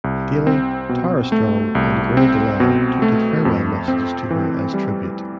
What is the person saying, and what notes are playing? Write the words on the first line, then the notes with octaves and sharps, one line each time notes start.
Daily, Tara Strong, and Grey DeLisle, tweeted farewell messages to her as tribute.
C2
C4
B2
A3
C2
C4
B2
A3
F2
C4
E3
G3